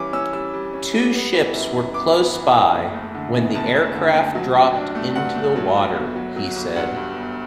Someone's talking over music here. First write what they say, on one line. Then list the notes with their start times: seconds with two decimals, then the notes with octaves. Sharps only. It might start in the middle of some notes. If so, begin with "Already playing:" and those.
Two ships were close by when the aircraft dropped into the water, he said.
Already playing: E3 G3 C#4 D6
0.13 C#4 E6
0.33 G3 E6
0.53 G3
0.74 C#4
0.93 G3
1.14 B3
1.33 E3
1.53 F#2
1.74 F#2
1.94 B3 D6
2.14 B3
2.34 E3
2.55 F#2
2.75 F#1
2.94 A3
3.15 D3
3.34 E2
3.55 F#1 A5
3.74 A3
3.95 D3
4.15 A3
4.35 F#3
4.55 G2
4.75 D4
4.95 A3
5.15 G2 F#5
5.35 A3
5.56 F#3
5.76 F#3
5.96 G1
6.16 F#3
6.36 F#3
6.56 G1
6.76 G2 F#5
6.96 G2
7.16 G1